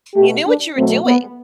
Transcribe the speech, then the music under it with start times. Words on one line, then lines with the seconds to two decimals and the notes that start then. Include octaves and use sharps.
you knew what you were doing.
0.15 B2 A3 G4
0.46 D4
0.76 B2 F#3 A3 C4
1.06 B3